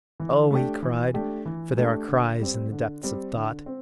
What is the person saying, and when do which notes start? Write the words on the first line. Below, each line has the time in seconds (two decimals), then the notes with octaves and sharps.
"Oh!" he cried, for there are cries in the depths of thought.
0.20 E3
0.51 A3 D4 G4
0.82 E3
1.14 A3 D4 G4
1.45 E3
1.77 A3 D4 G4
2.08 D3
2.40 G3 C4
2.72 D3
3.03 G3 C4
3.35 D3
3.66 C4